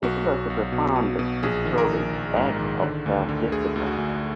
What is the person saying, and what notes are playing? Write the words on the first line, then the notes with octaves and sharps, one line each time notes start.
It was a profoundly disturbing act of self-discipline.
B1 F#4
B1
B1
B2
B2
B2
A#1 G#4
D#3
A#4
A#1
A#1
G#2
D#3
D3
D2
D3
D2 G#4
D2
F#4
D2